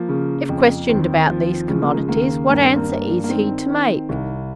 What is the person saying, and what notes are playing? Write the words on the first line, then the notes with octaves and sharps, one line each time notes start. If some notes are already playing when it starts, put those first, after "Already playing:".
If questioned about these commodities, what answer is he to make?
Already playing: F3 A#3
C#3
F2
D#2 C4
F3
C#3 G#3
A#3
G#3
D#2 A#3
G2 A#3
C4
A#3
G2
A#3
D#3 C4
D#3
C2